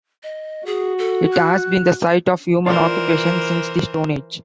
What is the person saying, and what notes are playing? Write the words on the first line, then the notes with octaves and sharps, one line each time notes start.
It has been the site of human occupation since the Stone Age.
D#5
F#4 G#4
A4
F#6
E3 F4 A#4 C5 D5